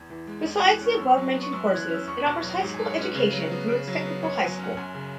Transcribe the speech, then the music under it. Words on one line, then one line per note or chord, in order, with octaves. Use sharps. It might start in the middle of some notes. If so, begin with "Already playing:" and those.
Besides the above-mentioned courses, it offers high school education through its Technical High School.
Already playing: E2 G#6
E3
G#3
E2
F#6
E3
F#6
C#4 C#6
F#2 E6
C#6
F#3
B3
C#6
F#2 E6
F#6
E3 G#6
F#6
C#4
E6
E2 C#6
B2
F#3
G#2
G#3 G#5
C#5
C#4 B4
C#3
F#3
B3
C#3
F#3
B3
F#2 C#5
G#5
F#3
G#5
C#4 F#5
F#5
F#2 G#5
C#3